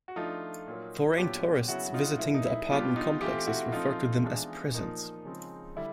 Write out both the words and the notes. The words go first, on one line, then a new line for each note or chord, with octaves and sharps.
Foreign tourists visiting the apartment complexes referred to them as "prisons".
F#4
F3 A3 D4 D#4 F4
A#2 F#3 A#3
A#2 F#3 B3 D4 F4 G4
C#3 F#3 B3 E4 F#4
D#4 F4
A2 F3 A#3 E4
D#4
E4
B2 G3 B3 D4 F4 G4
D#4 F4
E3 A3 C4 F4 G4
E4 F#4
F3 A3 C4 D#4 F4
E3 G#3 B3 D4
A#2 F3 A#3 D#4
C#3 F3 G#3 C4
D3 G3 E4